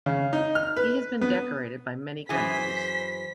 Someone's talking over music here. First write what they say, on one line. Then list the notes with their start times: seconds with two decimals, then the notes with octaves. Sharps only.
He has been decorated by many countries.
0.06 C#3
0.33 D#4
0.55 F6
0.76 B4
1.21 B3
2.29 F#2 E3 G#4 C5 B6